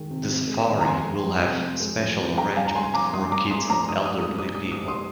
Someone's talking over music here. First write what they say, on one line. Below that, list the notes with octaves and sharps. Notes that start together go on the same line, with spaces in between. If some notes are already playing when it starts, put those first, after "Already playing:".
The Safari will have special arrangement for kids and elderly people.
Already playing: D#3 G#3
C3
C3
G#3
D#3
A#5
F2 G#5 C6
G#3
F3
C3
F2
G#3
F3
C3
G2 G5 A#5
G2 F5 G#5
A#5
G#3 G#5 C6
F3 A#5 D6
G2 C6 D#6
G2 A#5 D6
G#3 C6 D#6
F3 A#5 D6
G#2 D#6
G3 D#6
D#6
G#2
D#6
G3
D#6
G#2
D#6
G3 C6 D#6